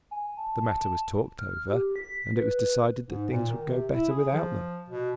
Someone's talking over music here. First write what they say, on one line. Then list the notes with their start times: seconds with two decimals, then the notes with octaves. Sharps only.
The matter was talked over, and it was decided that things would go better without them.
0.11 G#5
0.37 A5
1.38 F6
1.68 G4
1.96 B6
2.35 B4
3.08 G#2
3.29 A#2
3.49 D#3
3.68 C3
3.93 E4
4.10 G#4
4.32 F3
4.89 B2